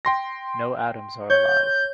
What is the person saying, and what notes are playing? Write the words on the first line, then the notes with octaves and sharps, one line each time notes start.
No atoms are alive.
G5 C6 A#6
C#5 G6